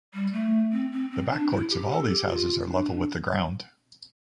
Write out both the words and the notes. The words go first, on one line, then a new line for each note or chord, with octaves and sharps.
The back courts of all these houses are level with the ground.
G3
A3
C4
C4
C4
D4
E4
G4
A4
G4
F4
D4
D4